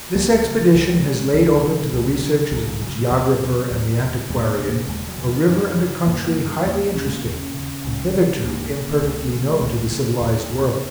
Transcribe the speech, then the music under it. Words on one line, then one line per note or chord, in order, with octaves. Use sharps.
This expedition has laid open to the researches of the geographer and the antiquarian a river and a country highly interesting, and hitherto imperfectly known to the civilized world.
C#2 A#3
G#3
C#3 F#3
D#3
C#2 F#3
G#3
C#3
G#3
C#2 F#3
C#3
C#2
C#3
C#2 D#3
C#3 F#3
D#2 F#3
C#3
D#2
C#3
D#2 G#3
A#3
C#3
A#3
A#3
D#2 G#3
F#3
C#3
D#3
F#2
C#3
F#2 A#3
A#3
C#3
F#3
D#2 A#3
C#3 C#4
G#3
A#3
D#2 C#4
C#3
C#2
C#3
C#2 A#3
C#3
C#2
C#3
G#3
C#2 A#3
C#3
D#2
C#3